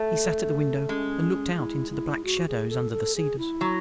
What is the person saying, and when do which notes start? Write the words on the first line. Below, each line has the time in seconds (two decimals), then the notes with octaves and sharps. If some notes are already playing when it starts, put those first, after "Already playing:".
He sat at the window and looked out into the black shadows under the cedars.
Already playing: A3
0.89 G#3 C#4
1.58 E4
1.91 E4
2.24 F#4
2.47 G#4
2.70 A4
2.92 A4
3.16 G#4
3.38 E4
3.61 F#3